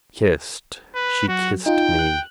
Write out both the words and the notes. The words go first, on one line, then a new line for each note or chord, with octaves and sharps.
Kissed, she kissed me.
B4
F#3 F#4
D#4 F4 G5
F#6